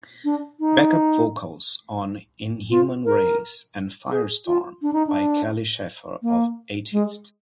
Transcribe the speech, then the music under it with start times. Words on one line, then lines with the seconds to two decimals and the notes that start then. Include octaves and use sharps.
Back-up vocals on "Inhuman Race" and "Firestorm" by Kelly Schaefer of Atheist.
0.25 D4
0.60 D#4
2.70 F4
3.05 A#4
4.11 G#4
4.47 F4
4.82 D4
4.93 D#4
5.07 D4
6.23 A#3
6.93 G#3